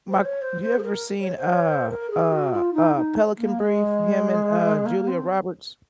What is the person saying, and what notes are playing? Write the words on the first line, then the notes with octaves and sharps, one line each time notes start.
My q do you ever seen, uh uh uh, Pelican Brief, him, and, uh, Julia Roberts,
C5
C#5
C5
C5
G#4
A#4
C#5
C5
C#5
C5
A#4
G#4
F#4
F4
D#4
D#4
A#3
G#3
A#3
C4